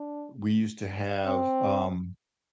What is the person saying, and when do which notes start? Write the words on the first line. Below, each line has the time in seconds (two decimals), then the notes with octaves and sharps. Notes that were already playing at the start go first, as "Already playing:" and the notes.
we used to have um,
Already playing: D4
1.26 C4